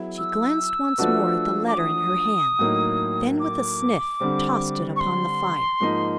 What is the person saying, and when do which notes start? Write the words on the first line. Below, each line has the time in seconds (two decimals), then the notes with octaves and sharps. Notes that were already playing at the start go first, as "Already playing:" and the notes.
She glanced once more at the letter in her hand, then with a sniff tossed it upon the fire.
Already playing: F#3 B3 E4 G#4
0.18 E6
0.98 F3 A3 D4 F#4 B4
1.67 D6
1.79 D#6
2.59 A2 F#3 A#3 D#4
3.40 D6
4.20 D3 G3 C4
4.96 C#6
5.00 C6
5.80 G#2 F3 A#3 D#4